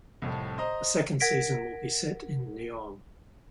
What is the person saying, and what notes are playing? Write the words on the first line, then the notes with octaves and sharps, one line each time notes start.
The second season will be set in Neom.
C2 F2 A2
C5 D#5 A#5
A#4 F#5 G#6 A#6 B6 D7